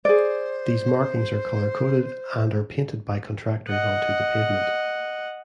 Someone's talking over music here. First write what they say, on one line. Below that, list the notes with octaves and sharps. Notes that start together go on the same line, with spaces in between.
These markings are color-coded, and are painted by contractors onto the pavement.
G#4 C5 D5
D#5 F#5